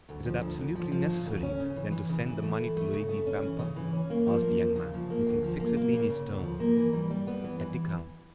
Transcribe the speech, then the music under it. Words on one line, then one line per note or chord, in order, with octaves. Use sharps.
"Is it absolutely necessary, then, to send the money to Luigi Vampa?" asked the young man, looking fixedly in his turn at the count.
D2
F3
D2
D2
F3
F3
C#3
D2
C#4
C#3
E3
E3
C#3
E3
A3
E3
A3
C#3
A3
C#4
E3
C#3
E3
C#4
A#3
F3
A#3
F3
C#3
F3
A#3
D2
F3
A#3
A#3
C#3
C#3
D2
F3
A#3
E3
G3
G3
B3
E3
E3